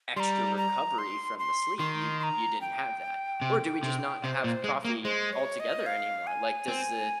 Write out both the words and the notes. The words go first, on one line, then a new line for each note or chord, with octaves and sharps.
extra recovery from the sleep- you you didn't have that- or do we just not have coffee altogether anymore? Like, does the
G3 A#5 C6
A#5
C6
C6
D#3 C6
C6
A#5
G5
C3
C3
C3 C5
A#2
G#3
A#3
G#3 C5
C#5
D#5
F5
G#5
C4